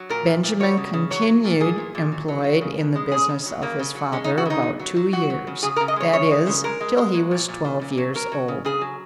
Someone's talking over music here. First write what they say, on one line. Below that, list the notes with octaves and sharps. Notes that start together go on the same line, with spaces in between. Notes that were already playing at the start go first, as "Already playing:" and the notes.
Benjamin continued employed in the business of his father about two years, that is, till he was twelve years old.
Already playing: F#3
A#2 A#4
A#2
A#2
F#3 C#5
C#3
C#3
F#3 C#5
F#3
A#2
A#2 G#4
A#2
A#2
F#3
F#3
F#3
C#3
C#3
G#3
C#3 G#4
C#3
F#3
C#3 A#3
C#3
F#3
G#3 C#4
D#4
C#3
F#4
C#3 D#4
F#3
F#3
F#3
F#3 F#4
F#3
C#3
C#3 G#4
A#4
C#3
D#5
G#3 C#5
C#3 C#5
G#3
C#3
G#3 A#4
G#3
G#3
F#3
A#2
A#2
A#2
A#2
F#3
F#3 A#4
F#3
C#3
C#3 G#4
F#3